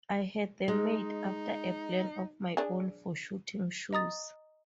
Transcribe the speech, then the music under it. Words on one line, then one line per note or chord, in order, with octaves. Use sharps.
I had them made after a plan of my own, for shooting-shoes.
G#3 D#4
D4 G#4
D#5 A#5 D#6 A6